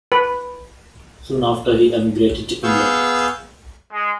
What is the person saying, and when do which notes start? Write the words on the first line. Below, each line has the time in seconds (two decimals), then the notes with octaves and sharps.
Soon after he emigrated to England.
0.12 B4
2.63 B3 G#4 F5 C#6 E6 G6
3.92 G#3